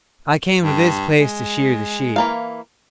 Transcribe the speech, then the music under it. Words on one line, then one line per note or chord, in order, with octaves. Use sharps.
I came to this place to shear the sheep.
G2
G#3
E3 A#3 F5